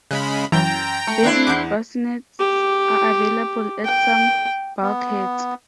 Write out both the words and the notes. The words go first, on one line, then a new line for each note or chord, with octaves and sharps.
Baby bassinets are available at some bulkheads.
C#3 G#3 B5 F#6
F#2 E3 F#3 G5 A#5 G7
A3
C4 D4 E4
E2 F#5 D6 G6
G4
G5
B3